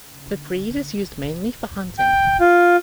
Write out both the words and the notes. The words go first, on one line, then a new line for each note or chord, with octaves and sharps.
The breed is used mainly for hunting.
G5
F4